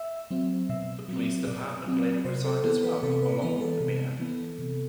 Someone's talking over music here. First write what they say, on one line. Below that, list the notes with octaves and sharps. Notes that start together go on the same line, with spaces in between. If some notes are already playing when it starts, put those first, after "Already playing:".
The police department later resigned as well along with the mayor.
Already playing: E5
F#3 C4
B2 E5
F#3 C4
B2 D5
F#3 C4
C3 C5
A4
E3 B3 A4
B4
C3 A4
B4
E3 B3 B4
A4
C3
E3 B3
C3